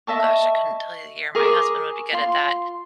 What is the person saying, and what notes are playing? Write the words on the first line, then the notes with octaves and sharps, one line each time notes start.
Oh gosh, I couldn't tell you the year. My husband would be good at that
D#5 E5 A5 C#6
G#4 A#4 C#6 D6
F4 C6